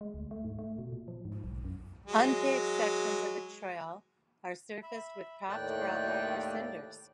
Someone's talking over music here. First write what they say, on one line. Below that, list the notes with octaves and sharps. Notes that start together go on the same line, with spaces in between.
Unpaved sections of the trail are surfaced with packed gravel or cinders.
G#3
D2
A3
G#2
A3
B2
A#2
F3
G#2
B1
F#2
F#3 G#3
E5 B5
D#2 A2 D5 G5 F#6